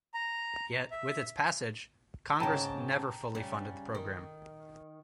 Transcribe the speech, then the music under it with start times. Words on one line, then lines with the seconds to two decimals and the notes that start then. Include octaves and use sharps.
Yet with its passage, Congress never fully funded the program.
0.14 A#5
0.91 E5
2.40 G#2 C#3 G5 A5 A#5
3.35 C#3 G3
3.95 D#3